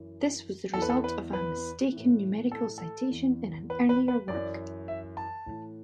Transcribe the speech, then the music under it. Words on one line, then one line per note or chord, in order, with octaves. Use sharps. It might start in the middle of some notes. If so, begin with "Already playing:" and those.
This was the result of a mistaken numerical citation in an earlier work.
Already playing: F#2 E3
E2 E3 A4 B4
A4
B4
B4
A2 E3
A4
A4
E2 E3
B4
B4
B4
F#2 E3 D5
E5
A5
A2 E3